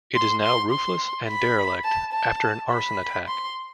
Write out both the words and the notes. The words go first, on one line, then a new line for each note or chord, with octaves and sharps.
It is now roofless and derelict after an arson attack.
C6
C6
C6
B5
A5
A5
B5
C6